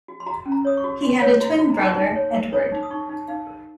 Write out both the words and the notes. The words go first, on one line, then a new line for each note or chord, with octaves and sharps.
He had a twin brother, Edward.
F#4
C6
F#4 A#5
C#4
A#5
C#5 D#6
C#6
F#4
F#4 C6
C#5
F#4 A#5
F#4
A#5
D#4 C6
D#4
C#5
A#4
C#5 D#6
D#4
D#6
D#4 C#6
D#4
D#4 F5
A#4